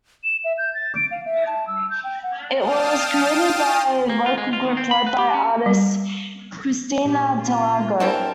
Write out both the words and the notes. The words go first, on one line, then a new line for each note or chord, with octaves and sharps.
It was created by a local group lead by artist Cristina Delago.
E7
E5
G6
A6
D7
F5
E5
A5
E6
G6
G5
F#5
F5 G5 A5 D#6 F6
A#3
F4
G#3
F4
D#3
C4
B5
B4
G4
C#4
G3
A#2 C#4 G4
A#3 F4
E3 G3 C4 D4 A#4 A5